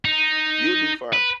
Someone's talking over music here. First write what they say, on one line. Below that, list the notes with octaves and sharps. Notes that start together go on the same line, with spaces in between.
you'll do fine.
D#4
B4